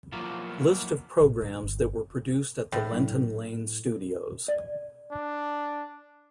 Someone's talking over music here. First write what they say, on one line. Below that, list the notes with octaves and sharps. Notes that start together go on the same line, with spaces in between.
List of programmes that were produced at the Lenton Lane Studios.
F3 F#3 A#3 B3 E4 F4
A#1 A2
E3
G1
A2
F#3 D4 E4
D5
D4